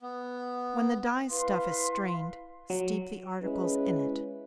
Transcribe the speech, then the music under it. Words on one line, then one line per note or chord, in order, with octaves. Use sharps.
When the dye-stuff is strained, steep the articles in it.
B3
E4 B4 F5 C6
F#3
G#3 C#4 E4 B4